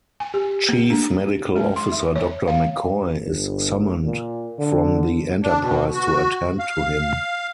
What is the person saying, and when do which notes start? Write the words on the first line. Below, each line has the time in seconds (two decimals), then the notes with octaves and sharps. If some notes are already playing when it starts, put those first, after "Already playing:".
Chief Medical Officer Doctor McCoy is summoned from the "Enterprise" to attend to him.
0.20 G#5
0.34 G4
0.69 A#3
0.90 D4
1.55 G#3
1.76 C6
1.92 E5
2.16 C#5
2.48 F5
3.19 G1
4.05 A#2
4.58 D3
5.44 D4
5.62 B2
5.94 F#4
6.59 F5